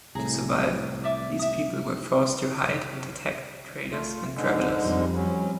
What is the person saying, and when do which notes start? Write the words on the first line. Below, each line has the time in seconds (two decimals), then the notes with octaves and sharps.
To survive, these people were forced to hide and attacked traders and travelers.
0.15 C2 A2 G#4 A#5
1.04 D5 E5 D6
1.39 E5 D#6
3.91 A3 F4
4.36 G#2 D3 G#3
4.80 F2 G3
5.15 F#3 C#4